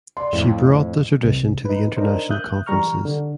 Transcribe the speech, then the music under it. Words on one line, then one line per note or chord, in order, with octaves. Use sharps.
She brought the tradition to the International conferences.
D5 C6
F2 A2
C2
D#4 B4
D4 D#4 A#4 C5
E5 D#6 F#6 G6
E3 G3 A#5 C#6 F6
D3